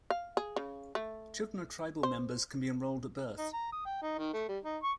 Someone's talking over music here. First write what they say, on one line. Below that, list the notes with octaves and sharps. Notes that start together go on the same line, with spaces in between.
Children of tribal members can be enrolled at birth.
F5
G#4
C#3
A3
C5
D#4
A#5
D#6
G5
D#4
D#3
A3
G3
D#4
C#6